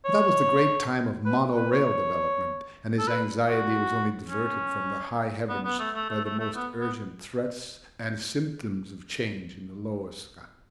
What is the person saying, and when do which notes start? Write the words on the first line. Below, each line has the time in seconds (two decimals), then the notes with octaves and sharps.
But that was the great time of mono-rail development, and his anxiety was only diverted from the high heavens by the most urgent threats and symptoms of change in the lower sky.
0.05 C#5
1.26 B4
1.56 B4
1.71 C#5
2.99 A4
3.08 B4
3.48 F#4
4.28 C#4
5.49 B3
5.65 B3
5.79 A3
5.94 A3
6.09 A3
6.25 A3
6.39 A3
6.55 B3
6.80 B3